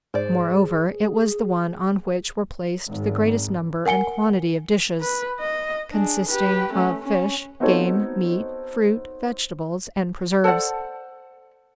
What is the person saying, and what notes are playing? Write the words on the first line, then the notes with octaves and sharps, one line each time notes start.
Moreover, it was the one on which were placed the greatest number and quantity of dishes, consisting of fish, game, meat, fruit, vegetables, and preserves.
G#2 G#4 C5 D5
G#1
A#4 F#5 G#5 C#7 G7
B4
D#5
D4 G#4
G4 B4
A3 C#4
C#4
B3 C4 D#4 F#4 A4 C#5
A4 C5 D5 F#5